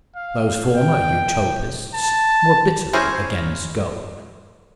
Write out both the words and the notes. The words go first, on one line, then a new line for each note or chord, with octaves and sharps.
Those former Utopists were bitterly against gold.
F5
G5
A5
C#4 E4 G#4 A#4 C5